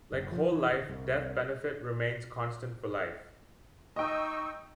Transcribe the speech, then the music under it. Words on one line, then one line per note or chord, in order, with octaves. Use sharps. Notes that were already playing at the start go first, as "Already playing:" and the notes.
Like whole life, death benefit remains constant for life.
F#1
F3
E3
G1
C2
D#4 D#5 G5 C#6 E6